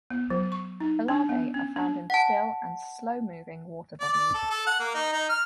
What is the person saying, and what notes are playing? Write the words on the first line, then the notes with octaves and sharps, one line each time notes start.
The larvae are found in still and slow-moving waterbodies.
B3
F#3
C#6
D#4
D4
B3
C#4
D4
F#5 A5
D5
D5
A4
A4
F#5
A#3
D#4
D#4
F6